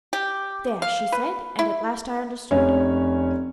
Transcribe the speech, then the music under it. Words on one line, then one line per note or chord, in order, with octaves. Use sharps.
"There!" she said--and at last I understood.
G4
F5
B4
E4
F1 C#4 C#5